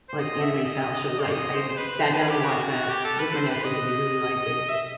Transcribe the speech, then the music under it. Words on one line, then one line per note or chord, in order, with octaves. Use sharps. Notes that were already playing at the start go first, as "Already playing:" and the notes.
like, anime style shows, I I sat down and watched that with my nephew, 'cause he really liked it,
C5
D#5
E5
E5
D#5
D#5
D#5
D#5
C5
D#5
C5
C5
B4
C5
B4
G4
F#4
G4
A4
B4
C5
B4
D#5
E5